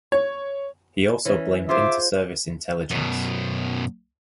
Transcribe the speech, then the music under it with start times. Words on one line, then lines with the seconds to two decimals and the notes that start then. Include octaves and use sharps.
He also blamed Inter Service Intelligence.
0.12 C#5
1.25 E3 C#4
1.69 F4 G#4 C5 E5 D6
2.90 F#2 B2